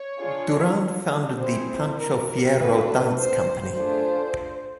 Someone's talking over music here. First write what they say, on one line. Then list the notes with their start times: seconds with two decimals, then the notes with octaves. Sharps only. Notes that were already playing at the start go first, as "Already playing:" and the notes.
Durand founded the Pancho Fierro Dance Company.
Already playing: C#5
0.19 D4 F4 G#4
1.39 C4 E4 G#4 C5
1.98 A#4
2.27 A#4
2.57 D4 F#4 A4 B4
3.17 C5
3.76 A3 D4 F4 G#4 C5